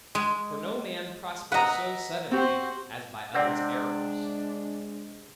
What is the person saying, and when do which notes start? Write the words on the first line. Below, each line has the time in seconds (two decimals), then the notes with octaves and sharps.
For no man prospers so suddenly, as by others' errors.
0.15 G#3
1.52 B4 D#5 E5 F#5 A#5
2.31 C4 F#4 G4 C5
3.34 C3 G#3 C4 D4 D5 F#5